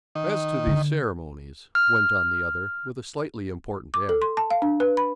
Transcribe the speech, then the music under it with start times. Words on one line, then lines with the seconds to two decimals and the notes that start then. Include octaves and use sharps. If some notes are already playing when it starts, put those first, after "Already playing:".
"As to the ceremonies---" went on the other, with a slightly important air.
0.15 D#3
0.67 D3
1.75 F6
3.94 D6
4.09 A4
4.22 C6
4.37 A5
4.50 F5
4.62 D4
4.80 B4
4.97 B5